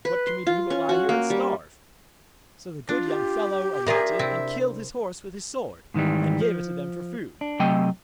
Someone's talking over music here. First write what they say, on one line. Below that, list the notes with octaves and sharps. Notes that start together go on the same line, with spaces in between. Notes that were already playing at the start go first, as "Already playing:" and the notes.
What can we do, but lie here and starve?' So the good young fellow alighted and killed his horse with his sword, and gave it to them for food.
B4
C6
F4
C#4
F#4
A#3
G3
D4 F4
G4
A#3 D4 F4 G#4 A#4 E5
C3 C4 E4
G#2 D#3 E3 G3
F3
D4
C3 F#3 A3 D#5 G5